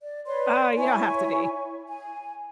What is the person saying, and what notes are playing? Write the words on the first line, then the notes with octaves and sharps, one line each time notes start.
Oh, you don't have to be.
D5
B4 C#5 D5 C6
E4 C#5 G#5 C#6
G#5